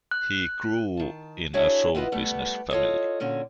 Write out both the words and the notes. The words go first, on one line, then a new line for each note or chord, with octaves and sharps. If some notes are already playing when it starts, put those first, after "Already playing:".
He grew in a show business family.
F#6
D#3 A5
D4 E4 F#4 G#4 C#5 E5
B3 E4 F4 B4 D#5
G3 A3 B3
F4 A4 C#5 D#5
A#2 D3 C#4 F#4